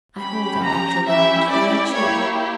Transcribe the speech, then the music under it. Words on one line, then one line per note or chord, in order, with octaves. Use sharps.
I hold our actual knowledge very cheap.
C#4 G4 B5
A#5
C#4 E4 G4 E5
D5
A#3 E4 G4 C#5